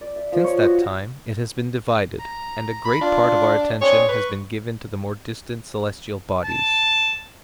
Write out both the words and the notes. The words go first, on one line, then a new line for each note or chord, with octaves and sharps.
Since that time it has been divided, and a great part of our attention has been given to the more distant celestial bodies.
D5
E5
F3
C#5
F#4
A#5
B5
D4 F4
C4 D4 G#4 C#5
B4 C#6
A5